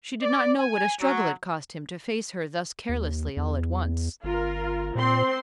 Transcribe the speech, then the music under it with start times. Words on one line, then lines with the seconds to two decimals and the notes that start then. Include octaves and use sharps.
She did not know what a struggle it cost him to face her thus carelessly all at once.
0.21 D5
0.58 G#5
1.00 F#3
2.89 D#2
3.37 E2
4.24 G1 F4 A#4
4.95 A#2 C4 C6